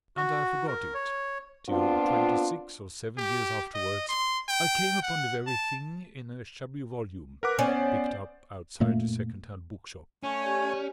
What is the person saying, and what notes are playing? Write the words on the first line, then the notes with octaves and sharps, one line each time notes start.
And I forgot it till twenty-six or seven years afterwards I came upon the very thing in a shabby volume picked up outside a second-hand book-shop.
F#4
A#4
C#5
B3 C4 D4 F4
G4
D#5
C6
G5
F#5
A5
A#4 B4 F#5 D6
B3 C#4 C5 D5
F#2 A#2 A3 A#3
A3 C#4 C#5 G#5
G4 D5